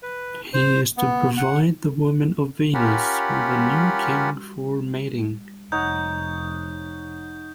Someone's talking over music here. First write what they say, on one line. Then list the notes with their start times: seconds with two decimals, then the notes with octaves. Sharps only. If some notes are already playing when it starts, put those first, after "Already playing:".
He is to provide the women of Venus with a new king for mating.
0.03 B4
0.53 C5
0.97 B3
1.37 F#5
2.74 C#4 F4 G4 A#4 F#5 B5
5.72 F1 D#4 C#5 F#5 G6